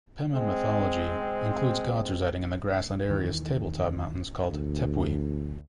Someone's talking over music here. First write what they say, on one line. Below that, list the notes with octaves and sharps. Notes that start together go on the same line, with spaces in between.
Pemon mythology includes gods residing in the grassland area's table-top mountains called "tepui".
G#3 C4
D#2 D#3 E3
D2